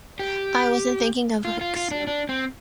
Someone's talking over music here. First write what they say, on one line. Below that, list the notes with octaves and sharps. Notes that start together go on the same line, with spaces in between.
I wasn't thinking of hooks.
G4
F4
F4
F4
D4
D4
C4